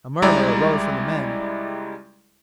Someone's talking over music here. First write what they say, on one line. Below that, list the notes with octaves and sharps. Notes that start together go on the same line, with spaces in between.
A murmur arose from the men.
C#2 G3 G#3 E4 D5 A#5